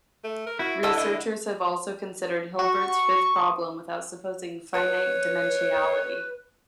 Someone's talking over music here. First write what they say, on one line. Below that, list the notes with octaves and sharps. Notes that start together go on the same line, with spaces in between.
Researchers have also considered Hilbert's fifth problem without supposing finite dimensionality.
A3
A#4
E4 F#4
D3 D#5 A5 E6
D#5
F#4 C#6
B4 C#5